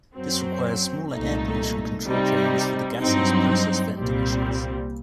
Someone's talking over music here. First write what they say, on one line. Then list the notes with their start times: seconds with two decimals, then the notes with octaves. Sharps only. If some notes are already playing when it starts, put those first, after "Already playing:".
This requires smaller air pollution control trains for the gaseous process vent emissions.
0.17 F#2 F#3 C4
1.12 C2 A#2 A3 D#4
2.06 C3 G3 C4 D#4
3.01 G2 F#3 C4 D#4
3.96 C2 A#2 G3 C4